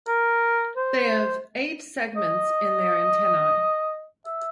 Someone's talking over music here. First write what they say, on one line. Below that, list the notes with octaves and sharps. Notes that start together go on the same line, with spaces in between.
They have eight segments in their antennae.
A#4
C5
D#5
E5